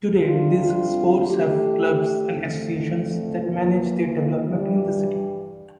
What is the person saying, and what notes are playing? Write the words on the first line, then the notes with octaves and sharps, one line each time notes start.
Today, these sports have clubs and associations that manage their development in the city.
F2 C3 G3 D4 F4
D3 A3 E4 G4
F2 D3 A3
E3 A#3 F4
G2 E3 G3